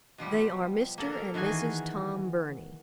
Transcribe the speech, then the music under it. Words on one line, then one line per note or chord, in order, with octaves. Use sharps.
They are Mr. and Mrs. Tom Burney.
B2 F3 G3 G4
A#3 A4 A#4
D#3 E3 F#4 G#4 G#5